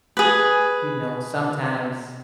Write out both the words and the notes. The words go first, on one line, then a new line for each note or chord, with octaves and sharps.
you know, sometimes
G#4 B4